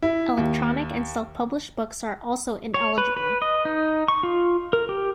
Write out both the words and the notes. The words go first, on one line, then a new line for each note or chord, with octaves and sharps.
Electronic and self-published books are also ineligible.
E4
D#2
C#5
B4
B4
D#5
D#4
C#6
F4
A#4
G4